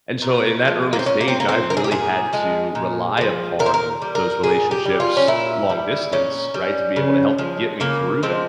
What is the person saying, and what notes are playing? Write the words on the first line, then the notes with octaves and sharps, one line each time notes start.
and so in that early stage, I really had to rely upon those relationships long distance, right, to be able to help get me through that
A#2
F3 G#3
A#3
C4
A#2 C#4
A#3
C4
A#3
F3 G#3 C4
A#4
G#4
G4
A#2 G#4
F3 G#3
A#2
G#3
F3
A#2 A#4
C5
A#4
G3
A#4
A#2 G#4
G4
G3
F4
C#4
A#2 E4
G3
A#2 C#4
G3
C#3
F3 G#3
C#3 A#3
F3 G#3 C4